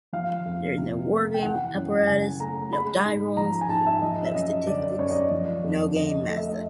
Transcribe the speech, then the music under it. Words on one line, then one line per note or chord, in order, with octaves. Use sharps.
There is no wargame apparatus, no die rolls, no statistics, no gamemaster.
F3 F5
F2
C3
A#3
G5
E3 F#5
F#2
C#3 G#5
A3 A#5
G#3 B5
G#2
F3 A#5
G#5
G#2 A5
E5
F3 D#5
E5
F#2 D#5
D3 D5
D5
F#2 C#5
D#5
D5
F3
F2
D3 D#5
A3
E5
D#5